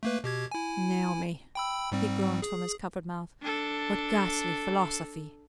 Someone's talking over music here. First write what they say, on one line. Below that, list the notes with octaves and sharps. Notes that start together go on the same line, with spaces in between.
"Naomi," he groaned from his covered mouth, "what ghastly philosophy."
A3 A#3 B4
B2 G4 G#6
E4 G#5
G5 B5 E6
G#2 G3 C4
G#4
D4 A4